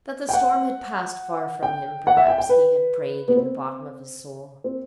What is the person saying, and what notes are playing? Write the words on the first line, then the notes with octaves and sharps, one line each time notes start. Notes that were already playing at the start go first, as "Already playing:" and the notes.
That the storm had passed far from him, perhaps he had prayed in the bottom of his soul.
G5
F#5
G5
F#5
E5
G5
G5
B4
B3
C4
C4